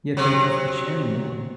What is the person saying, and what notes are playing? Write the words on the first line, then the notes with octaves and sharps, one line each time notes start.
Yeah, thank you for sharing, yeah.
C3 F#3